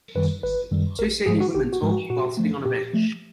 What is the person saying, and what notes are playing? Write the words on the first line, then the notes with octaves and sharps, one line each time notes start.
Two senior women talk while sitting on a bench.
F#2 D#3 G3 B4
G#1 B4
F#2 D#3 G3
A1 A#4
G#2 F3 G#3 G#4
F#4
A1 G4
F#4
G#2 F3 G#3
F#4
A#2 F#4
F3 A3
A#2 G4
F3 A3